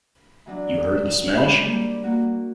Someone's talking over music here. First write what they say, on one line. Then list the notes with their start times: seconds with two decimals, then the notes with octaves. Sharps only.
You heard the smash?
0.46 E3 F#3 D4
1.36 G#2 B5 D6
1.64 G3 A#3 G4
2.04 A#3 F#4